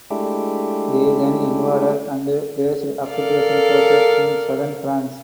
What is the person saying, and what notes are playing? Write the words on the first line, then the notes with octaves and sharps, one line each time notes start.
They then invaded and placed occupation forces in southern France.
G#3 A3 D4 E4 G4
A4 A#4 D5 F5